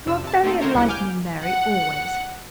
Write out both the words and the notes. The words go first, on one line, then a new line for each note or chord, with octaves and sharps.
You are very enlightening, Mary, always.
F2 C3 D4 E6
C3 A5
A3 A#3 C4 D#4 F4 A4
D3 A3 C4 A#4 C5 C#5
D2 C#3 G3 E4 F#5
G#5 D6 F6 G6
F#5